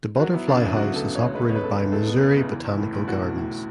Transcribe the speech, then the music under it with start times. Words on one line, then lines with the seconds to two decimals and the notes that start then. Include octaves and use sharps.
The Butterfly House is operated by Missouri Botanical Gardens.
0.20 F#3 F#4
0.33 B3 E4
0.48 C#3 D4
0.57 F#4
0.62 D2 E4
0.77 F#3 F#4
0.92 B3 A4
1.06 C#3
1.15 C#5
1.20 D2
1.34 G#3 B4
1.50 B3 C#5
1.56 B4
1.64 C#3 A4
1.78 E2
1.92 G#3 A4
2.07 B3
2.21 C#3
2.36 E2
2.49 E3
2.65 B1
2.79 A2
2.93 B1
3.08 E3 F#4
3.21 B1
3.36 A2